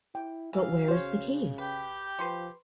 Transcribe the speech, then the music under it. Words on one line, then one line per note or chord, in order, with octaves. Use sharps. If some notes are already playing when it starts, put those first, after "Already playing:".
But where is the key?
E4 G5
E3 F#3 F5
C#3 F#4 C5 C#5
G4 B4 G5
F3 B4 C6 C#6